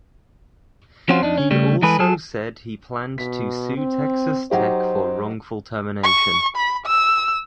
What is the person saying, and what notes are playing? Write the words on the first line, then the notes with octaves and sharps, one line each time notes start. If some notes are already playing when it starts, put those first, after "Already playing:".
He also said he planned to sue Texas Tech for wrongful termination.
F3 C4 C#4 F4 F#4 C5
F2 D4 D#4
C#4
C#3 G3 A3
E3 G#3 G#4 A4 B4
F#3 G#4 A4
B2 B6
C4
F#3 D#4 G4 C5
C#6
B5
E6